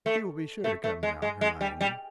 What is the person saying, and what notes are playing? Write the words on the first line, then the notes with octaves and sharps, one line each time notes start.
"He will be sure to come now, Hermione."
A3
A3
A3
G#3
G#3
G#3
G3
G3